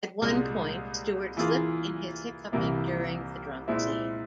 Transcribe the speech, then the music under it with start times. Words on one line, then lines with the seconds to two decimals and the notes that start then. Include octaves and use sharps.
At one point, Stewart slipped in his hiccuping during the drunk scene.
0.22 C2 A#2 G#3
1.37 E3 A#3 F4 G#4
2.52 C2 C3 E3 A#3 E4
3.68 A#2 G#3 C4 E4